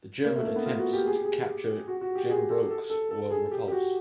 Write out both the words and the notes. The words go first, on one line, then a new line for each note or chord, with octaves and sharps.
The German attempts to capture Gembloux were repulsed.
A#3
A3
A#3
B3
F4
F#4
G4
G#4
G4
G#4
F#4
F#4
G4
G#4
A4
A4
A4
A4
G#4
G4
G4
F#4